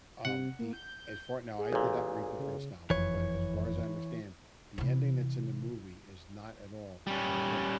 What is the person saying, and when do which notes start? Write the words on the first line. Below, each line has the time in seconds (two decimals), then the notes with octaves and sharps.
uh, um, the as far Now, I did not read the French novel, but as far as I understand, the ending that's in the movie is not at all in the book,
0.25 C3 F#5
0.59 A#3
0.73 G6
1.58 G#4
1.73 A1 A#2
2.39 C#3
2.90 F#1 F2 E3 C#5
4.78 C3 E3
7.07 G3 C#4